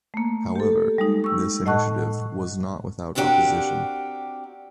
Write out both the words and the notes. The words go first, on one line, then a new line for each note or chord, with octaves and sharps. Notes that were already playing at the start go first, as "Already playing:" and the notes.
However, this initiative was not without opposition.
A3 A#3
G4 A4
G3 G#3 D#4
C#6 E6
A2 D#5 F#5 A5 C#6 F#6
B3 C4 D4 F#4 G4 A#4